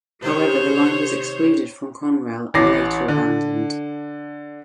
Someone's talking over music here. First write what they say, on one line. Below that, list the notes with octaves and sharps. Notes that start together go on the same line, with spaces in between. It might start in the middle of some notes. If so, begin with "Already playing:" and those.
However, the line was excluded from Conrail and later abandoned.
C3 D#3 C4 C5 C#5
A1 E3 D6 A#6 C7
D3